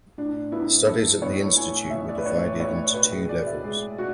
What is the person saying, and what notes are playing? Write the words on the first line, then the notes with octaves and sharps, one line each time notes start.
Studies at the Institute were divided into two levels.
A2 D4
B3 E4
B3 A4
B3 C#5
A2 G#5
A2 E5
D5
B4
A2 C#5
A2 C#5
B2 B4
G#4
B2 D5
E5
G#3 G#4
B2 F#4